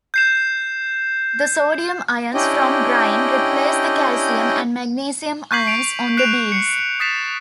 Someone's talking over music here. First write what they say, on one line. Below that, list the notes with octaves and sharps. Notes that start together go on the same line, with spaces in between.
The sodium ions from brine replace the calcium and magnesium ions on the beads.
G6 C7 E7
C#4 D4 E4 G4 D#5 G5
C#6 G6 B6 C7 F#7
D7 F7
F#6 C7 D7 E7 F7
C7 C#7
D#6 A6 B6 C7 E7